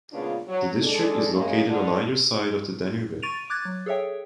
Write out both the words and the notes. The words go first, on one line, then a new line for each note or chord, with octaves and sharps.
The district is located on either side of the Danube.
A#2 C#3 G#3 B3 D4 F4
F#3
G#3 D4 A4
F#2 G#3 A#3
D3
C#6 A6 D7 D#7 F7
D6 F#6 G#6 A6
F#3
G#4 A4 C#5 E5 G5